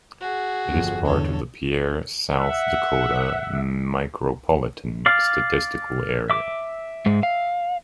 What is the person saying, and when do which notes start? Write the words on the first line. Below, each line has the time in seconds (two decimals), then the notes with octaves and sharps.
It is part of the Pierre, South Dakota Micropolitan Statistical Area.
0.21 F#4 G#4
0.68 G1 F2
1.06 E2 G2 D3 A4 C#5
2.38 E5 F#5
5.06 D5 F5
6.30 E5 D6
7.06 G#2 G#3
7.23 F5